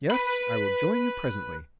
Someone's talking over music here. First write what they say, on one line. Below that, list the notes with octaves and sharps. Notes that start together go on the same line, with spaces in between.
"Yes, I will join you presently."
B4 B5